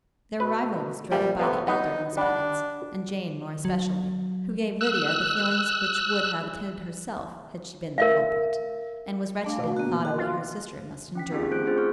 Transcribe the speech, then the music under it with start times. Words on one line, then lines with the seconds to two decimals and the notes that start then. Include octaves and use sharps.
Their arrival was dreaded by the elder Miss Bennets, and Jane more especially, who gave Lydia the feelings which would have attended herself, had she been the culprit, and was wretched in the thought of what her sister must endure.
0.40 B2 B4
1.11 A#1 G3 G5
1.39 A2 C3 B3 F5
1.68 B3 D#4
2.17 G3 D4 F#5
3.65 F#3
4.81 E6 F#6
7.98 A#4 E5 F5
9.44 A3 D4 F5
9.58 B2
9.77 A#3 F#4
10.05 D#3 F#4
10.18 F4
11.15 C#4 G5 B6
11.30 B3 C4 D#4 F4 G4 G#4
11.51 A3 C#4 C5 F#6 G6 D7
11.65 C4 D4 F4 G#4 C5
11.78 C4 G#4 C#6 F6 G6